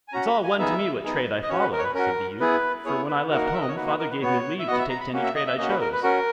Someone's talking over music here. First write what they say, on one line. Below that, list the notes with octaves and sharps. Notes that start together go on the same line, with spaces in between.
'It's all one to me what trade I follow', said the youth; 'for when I left home, father gave me leave to take to any trade I chose.'
G#5
C#4 F#4 A#5
B5
G#5
B3 D#4 G#4 E5
B3 D#4 G#4
D#5
C#4 F#4 C#5
B4
A#4
C#5
B4
C#4 F#4 A#4
B3 E4 G#4 B4
B3 E4 G#4 C#5
B4
A#3 D#4 F#4 A#4
F#5
E5
D#5
C#5
A#3 D#4 F#4 B4
B4
A#4
B4
B3 F#4 C#5
E5
B3 F#4 D#5 F#5
E5
A#5
B5
A#3 C#4 F#4
E5
D#5
E5
A#3 C#4 F#4 D#5
B4
A#4
B4
C#4 F#4 A#4